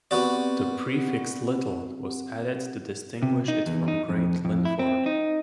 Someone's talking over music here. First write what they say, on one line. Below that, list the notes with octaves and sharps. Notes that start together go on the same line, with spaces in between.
The prefix 'Little' was added to distinguish it from Great Linford.
B3 C4 F#4 G4 D5 F#5
C3
D#4
E2
D#4
F2
F2
E4
C4
D#4